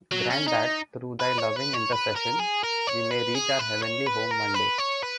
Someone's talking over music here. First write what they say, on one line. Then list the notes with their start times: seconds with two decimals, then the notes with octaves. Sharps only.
Grant that, through thy loving intercession, we may reach our heavenly home one day.
0.12 F#3
0.30 C#4
0.48 D#4
1.20 B4
1.38 C#5
1.56 B4
1.73 C#5
1.92 B4
2.15 A#4
2.39 G#4
2.63 A#4
2.87 C#5
3.11 B4
3.35 G#4
3.59 B4
3.83 C#5
4.07 B4
4.31 A#4
4.54 B4
4.79 C#5
5.03 B4